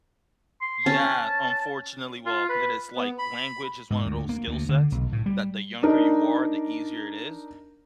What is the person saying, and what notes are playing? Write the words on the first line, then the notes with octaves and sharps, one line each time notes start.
Yeah, unfortunately, well, it is like language is one of those skill sets that the younger you are, the easier it is.
C6
C#4 A5
F4
B4
B3
B5
G#2
D2
A#3
D2
D3
B1
A2
G3
D4 D#4 A#4